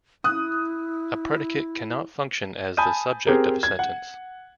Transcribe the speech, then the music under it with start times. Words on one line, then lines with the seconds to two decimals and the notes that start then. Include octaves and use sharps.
A predicate cannot function as the subject of a sentence.
0.24 E4 D#6 F#6
2.77 G#5 A5 B5 D#6 G6 D#7
3.27 C4 G4 G#4 A#4
3.63 G#6
3.79 F#5